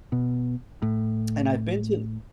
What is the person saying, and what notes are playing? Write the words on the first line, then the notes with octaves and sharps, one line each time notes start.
And I've been to
B2
A2